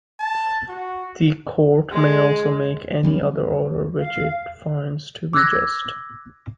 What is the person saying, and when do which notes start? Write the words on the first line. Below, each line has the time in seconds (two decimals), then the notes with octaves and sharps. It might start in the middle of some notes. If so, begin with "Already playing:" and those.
The court may also make any other order which it finds to be just.
0.20 A5
0.68 F#4
1.91 G#3
3.03 F#3 G3 C#4
3.99 F5
5.33 D6 E6 F#6 G#6 A#6